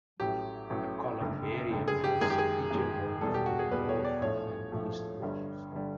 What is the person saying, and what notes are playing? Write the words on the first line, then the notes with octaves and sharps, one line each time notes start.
The columbarium has pigeon holes in the north and east walls.
A1 A2 F#3 G4
A1 A2 F#3
F#1 F2 D3
F#1 F2 D3
G#4
G4
F#2 D#3 G#3 G#4
G4
G#4
F#2 D#3 G#3
E2 B2 G3 A4
G4
F#4
G#4
E2 B2 G3 B4
C#5
D5
A#1 A2 F3 A3 C#5
A#1 A2 F3 A3
G1 G2 D3 G3
G1 D3 G3